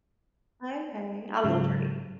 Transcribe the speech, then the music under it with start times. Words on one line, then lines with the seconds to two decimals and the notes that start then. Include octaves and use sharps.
Okay. I love to read.
1.44 G#2 C#3 F#3